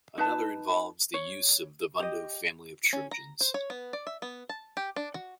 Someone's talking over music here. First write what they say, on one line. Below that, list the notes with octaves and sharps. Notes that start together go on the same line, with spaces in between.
Another involves the use of the Vundo family of trojans.
D#4 B4 A5
C#5
G4 D#5
C#4
A#5
C5
C#5
B3
D5
E5
B3
A5
G4
D4
F#4